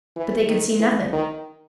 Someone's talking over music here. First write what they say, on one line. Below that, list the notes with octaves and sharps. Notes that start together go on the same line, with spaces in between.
But they could see nothing.
E3
D#3
E3
D#3